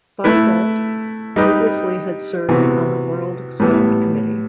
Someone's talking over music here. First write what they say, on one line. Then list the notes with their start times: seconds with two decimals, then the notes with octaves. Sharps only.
Fossett previously had served on the World Scout Committee.
0.24 A3 E4 B4
1.36 G3 D#4 G4 B4 D#5
2.49 C3 E3 B3 F#4
3.60 A2 E3 G3 B3